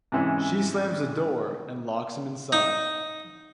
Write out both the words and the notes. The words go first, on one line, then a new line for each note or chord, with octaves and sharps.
She slams the door and locks him inside.
G#2 C3 E3 C#4 E4
D#4